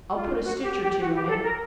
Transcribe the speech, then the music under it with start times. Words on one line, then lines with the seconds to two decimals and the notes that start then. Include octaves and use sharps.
I'll put a stitch or two in it.
0.16 F4
0.44 F#4
0.62 G4
0.82 G4
1.00 F#4
1.14 G4
1.28 A4
1.42 A#4